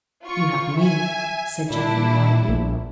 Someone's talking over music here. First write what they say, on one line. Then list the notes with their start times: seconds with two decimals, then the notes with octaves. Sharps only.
"You have me," said Jeffrey quietly.
0.25 F4 C#6
0.76 E5 G#5
1.71 A#2 G3 D4 E4
2.49 A#1